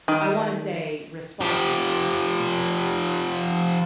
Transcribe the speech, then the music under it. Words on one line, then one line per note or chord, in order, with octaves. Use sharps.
I wanna say, responsible, you know,
D#3
F3 G4